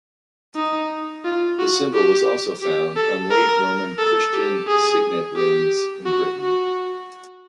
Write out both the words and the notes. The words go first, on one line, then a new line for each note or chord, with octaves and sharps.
The symbol was also found on Late Roman Christian signet rings in Britain.
D#4
F4
F#4
G4
G4
A4
A#4
A4
G4
G#4
G4
F#4
F#4